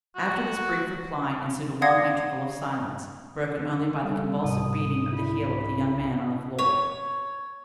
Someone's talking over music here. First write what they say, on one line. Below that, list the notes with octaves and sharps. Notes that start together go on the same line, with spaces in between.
After this brief reply ensued a long interval of silence, broken only by the convulsive beating of the heel of the young man on the floor.
F#4
D5 F5 F#5 D#6 G#6 A#6
G3 A4
C2 G#2 C3 D#6
D4 E4 B5
C#5